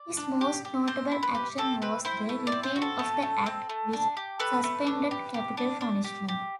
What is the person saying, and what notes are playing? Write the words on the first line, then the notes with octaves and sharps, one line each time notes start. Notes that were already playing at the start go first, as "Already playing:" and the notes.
His most notable action was the repeal of the Act which suspended capital punishment.
Already playing: D5
D4
G4
G4
C4 C5
E4
B4
G4
C4 A4
C4 B4
E4 C5
A3
D5
C4
C5
F#4
A4
A3
A3
C4
A3
D4
G4
A3 B4
A3
D4
G4
G4
D4
D4
G4
G4